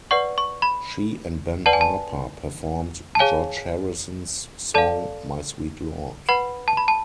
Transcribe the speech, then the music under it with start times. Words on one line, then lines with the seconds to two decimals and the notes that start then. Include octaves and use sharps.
She and Ben Harper performed George Harrison's song My Sweet Lord.
0.11 B4 D5 F#5 C#6
0.38 C#6
0.62 B5
1.66 B4 D5 F#5 A5
1.73 G#5
1.81 A5
3.15 A5
3.19 G#4 C#5 F5 G#5
4.74 A4 D5 F5 A5
6.29 B4 F#5 B5
6.68 A5
6.77 B5
6.88 A5